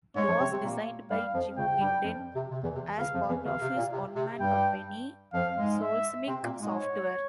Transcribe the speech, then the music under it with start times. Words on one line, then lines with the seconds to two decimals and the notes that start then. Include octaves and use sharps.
It was designed by Jim Gindin, as part of his one-man company, Solecismic Software.
0.16 G#2 G#3 C#5
0.28 F2 F3
0.40 C3 C4
0.52 C3 C4
0.63 A#2 A#3
1.10 G2 G3 F5
1.34 F2 F3
1.57 C#2 C#3 G5
1.80 G2 G3
2.04 F2 F3
2.35 C3
2.51 C3
2.63 E2 E3
2.75 C3
2.98 C#2 C#3 F5
3.14 F2 F3
3.29 E2 E3
3.45 C#2 C#3 F5
3.61 C3
3.77 A#2
3.93 C3
4.16 C3
4.40 G2 G3 G5
5.33 F2 F3 F5
5.57 G#2 G#3
5.81 E5
6.27 C3 C4
6.43 A#2 A#3
6.58 G#2 G#3
6.75 C#5